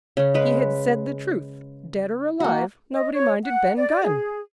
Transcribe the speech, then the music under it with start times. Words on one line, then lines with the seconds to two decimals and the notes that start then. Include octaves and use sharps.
He had said the truth: dead or alive, nobody minded Ben Gunn.
0.17 C#3 C#4
0.34 G#3 B4
2.40 A#3 F#4
2.93 D#5
3.13 C#5
3.42 F#5
3.76 D5
4.03 G#4